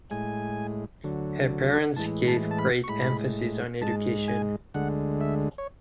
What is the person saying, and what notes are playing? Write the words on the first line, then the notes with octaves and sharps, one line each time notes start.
Her parents gave great emphasis on education.
A2 G#3 G#5
D2 D3 F#3
A2 E3 G#3 A5
A5
A5
B5
C#6
A2 G#3 B5
G#2 G#3 A5
G#5
D2 D3 G#3 F#5
E5
C#5